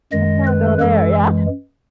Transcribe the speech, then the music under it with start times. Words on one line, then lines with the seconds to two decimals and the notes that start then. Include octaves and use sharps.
Let's not go there, yeah.
0.12 F#2 D#3 G#3 D#5
0.47 B4
0.81 F#2 E3 G#3 A4